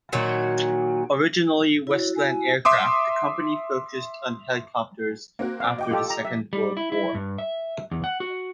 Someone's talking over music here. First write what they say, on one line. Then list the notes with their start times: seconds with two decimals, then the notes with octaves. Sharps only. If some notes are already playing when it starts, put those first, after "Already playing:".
Originally Westland Aircraft, the company focused on helicopters after the Second World War.
0.12 A#2 D#3 F#3 F#4
1.87 E4 F#4 C#5
2.16 G#5
2.65 E5 C6 D6 D#6
5.39 A#3 C4 F#4
5.60 D5 F5
5.78 D#5 G5 D6
5.91 F4 G4 A4
6.10 A#5
6.25 E5
6.53 G3
6.77 E4
6.92 E4
7.15 G2
7.38 E5
7.91 E2
8.04 F#5
8.20 F#4